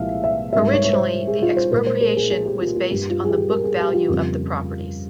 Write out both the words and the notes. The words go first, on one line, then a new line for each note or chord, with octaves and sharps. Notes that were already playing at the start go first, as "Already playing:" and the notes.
Originally, the expropriation was based on the book value of the properties.
Already playing: C2 A#2 F3 G#3 E5 F5
E5
G#2 G3 A#3 E5
C#5
C#5
C5
G#4
F4
C5
A#2 G#3 A#4
C5
A#4
G#4
G#4
G4
F4
F4
G2 G3 A#3 G4
F4
G#4
G4
A#4
G#4
G4
F4
F2 C#3 G3 A#3